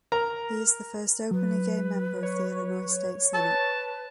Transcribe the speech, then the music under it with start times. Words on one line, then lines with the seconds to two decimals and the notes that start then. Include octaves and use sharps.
He is the first openly gay member of the Illinois State Senate.
0.12 A#4 A#5
1.31 F#3 B4
2.23 C#5
3.34 B4 A5